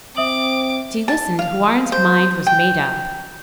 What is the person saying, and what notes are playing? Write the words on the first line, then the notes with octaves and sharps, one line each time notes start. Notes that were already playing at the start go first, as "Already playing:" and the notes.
As he listened Houarn's mind was made up.
C4 E5 D6 D#6 F#7
A5
F5
C5
G5